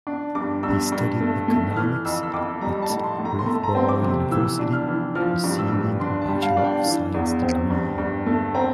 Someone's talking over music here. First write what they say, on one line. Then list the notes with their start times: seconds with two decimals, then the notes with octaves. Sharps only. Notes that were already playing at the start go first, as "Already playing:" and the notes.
He studied economics at Loughborough University, receiving a Bachelor of Science degree.
0.07 D4
0.35 G2 D6
0.63 G2 E6
0.92 G2
1.20 A3
1.48 A3
1.76 E3 F6
2.05 F2 E6
2.23 E6
2.33 F2 D6
2.61 G3 A#5
2.82 A5
2.90 A2
3.04 C6
3.18 A2
3.25 A#5
3.39 C6
3.46 A3 A#5
3.63 A#5
3.75 C4 C6
3.89 D6
4.02 C3
4.31 E3 E6
4.59 D4
4.73 F6
4.87 E3
5.15 F3 F6
5.44 G2
5.58 E6
5.72 G2
6.00 D4 C6
6.21 A5
6.28 G3
6.42 F5
6.57 D4
6.64 G5
6.86 E3
7.14 E2
7.42 C4
7.70 G2
7.98 G2
8.26 A3
8.54 C4 A#5